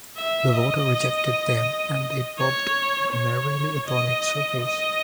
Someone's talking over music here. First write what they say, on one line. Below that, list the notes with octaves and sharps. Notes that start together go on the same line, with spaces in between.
The water rejected them and they bobbed merrily upon its surface.
E5
D#5
C#5
C#5
D#5
D#5